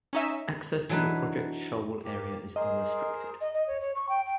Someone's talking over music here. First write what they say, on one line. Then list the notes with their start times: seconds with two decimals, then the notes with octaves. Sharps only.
Access to the Project Shoal Area is unrestricted.
0.13 C#4 D#4 E5
0.89 E3 F#3 D4 D#4 B4
2.04 A#3 G4
2.56 G#4 A#4 C5 D#5
3.40 D#5
3.54 D#5
3.67 C#5
3.81 C#5
3.95 C#6
4.09 G5
4.25 G5